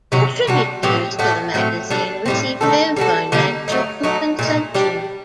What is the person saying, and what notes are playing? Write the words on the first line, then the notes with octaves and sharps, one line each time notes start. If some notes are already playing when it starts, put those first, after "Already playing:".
Contributors to the magazine receive no financial compensation.
C3 D#3 F#3
C3 G3 D4 F#4
A2 F#3 C4 G4
A2 A3 D4 F#4
A2 F#3 A3 C4
G3 D4 A4
A2 G3 C4
D#3 A3 D#4 A4
G3 D4 F#4 A4
D3 G3 A#3 D#4
F#3 A3 D#4
F#3 A3 D#4
A#2 A3 D#4
G3 D4 G4